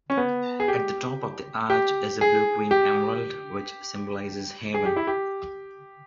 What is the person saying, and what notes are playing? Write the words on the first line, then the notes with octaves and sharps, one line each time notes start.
At the top of the arch is a blue-green emerald, which symbolises heaven.
C#4
B3
G#4
G4
G4
G#4
G4
G#4
G4
E4
G4